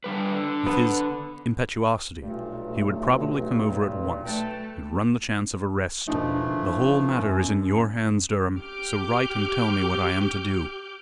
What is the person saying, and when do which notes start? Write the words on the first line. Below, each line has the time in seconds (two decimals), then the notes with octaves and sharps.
With his impetuosity, he would probably come over at once, and run the chance of arrest. The whole matter is in your hands, Durham, so write and tell me what I am to do.
0.04 D3 G3 B4
0.32 D3
0.66 B3
2.22 B1 G2 A#2 A3
4.25 A3 B4 G5 A5
6.08 E1 E3 F3 A3 D4 D#4
6.46 D3
7.18 F#2
8.58 G4 D6 F6 G6